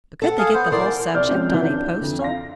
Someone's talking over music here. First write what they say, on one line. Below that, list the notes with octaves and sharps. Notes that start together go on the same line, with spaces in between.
But could they get the whole subject on a postal?
A4 F#5
G#4 F5
B3 C5
E3 A#4 D5 C6
C2 D5 F6 G6
F3 G#3 C4 C#4
E3 F#4 G6
D4
F2 D3
F5 C6 A#6